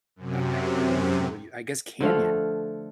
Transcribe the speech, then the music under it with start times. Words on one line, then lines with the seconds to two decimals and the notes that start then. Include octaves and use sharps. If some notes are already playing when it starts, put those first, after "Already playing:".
I I don't even know what you I guess canyon.
0.16 F#2 C3
2.00 D3 F3 A3 F5